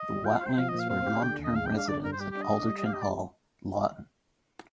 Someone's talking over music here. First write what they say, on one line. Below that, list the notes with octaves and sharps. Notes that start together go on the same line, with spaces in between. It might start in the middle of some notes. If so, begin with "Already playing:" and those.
The Watlings were long-term residents at Alderton Hall, Loughton.
Already playing: D#5
G3
F4 G5
F5
C5
G5
F3 F5
D#5
A#2
F5
C4 F5
G4
D3 G5
D#2
D#5
G#3 F5
G5
D4
F5
D3 D5
G2 A#4
C5
G3 G4
G4
D4
D#5
D4
G3
D#5
G4 F5
D#5
G3 D5